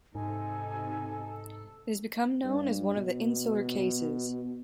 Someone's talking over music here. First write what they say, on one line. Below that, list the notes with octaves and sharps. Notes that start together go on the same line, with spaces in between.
It has become known as one of the "Insular Cases".
G#2 C3 D#4 A4 G#5
G2
B2